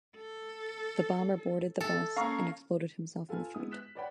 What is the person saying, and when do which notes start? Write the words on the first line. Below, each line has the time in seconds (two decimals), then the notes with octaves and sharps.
The bomber boarded the bus and exploded himself in the front.
0.16 A4
1.80 A4
2.16 A#3 C#4 F5 A#5 C#6
3.29 F4 A4 B4 G#5 F6
3.54 G#3 B3 E4 D#6
3.71 F#6 B6 E7
3.95 B4 C#5 D5 F#5 G5 B5